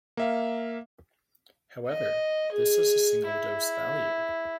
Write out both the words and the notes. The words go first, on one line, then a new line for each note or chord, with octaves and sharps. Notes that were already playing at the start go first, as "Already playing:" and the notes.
However, this is a single-dose value.
A#3 E5 F5
D#5
G#4
E4